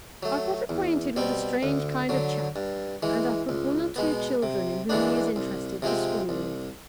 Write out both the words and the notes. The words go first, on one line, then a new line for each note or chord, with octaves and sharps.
'I've got acquainted with a strange kind of chap, and I put one or two children in whom he is interested to school.
F#3 A3
E2
B2 G3 C4
D2
D3 F#3
G2
E3 G#3
C#2
B2 G#3 B3
C3
E3 G#3 B3 D4
C2
C3 F3 G#3 C4
C2